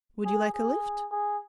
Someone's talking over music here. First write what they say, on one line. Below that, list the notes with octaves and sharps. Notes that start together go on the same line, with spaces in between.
Would you like a lift?
G#4
G#4
G#4